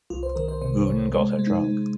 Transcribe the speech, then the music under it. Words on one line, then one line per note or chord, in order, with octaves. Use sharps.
Rhun got her drunk.
C2 F4
C5
D#3 A#4
C5
C3 C5
C3 C#5
G#3 C5
C5
G#3
D#4
G#3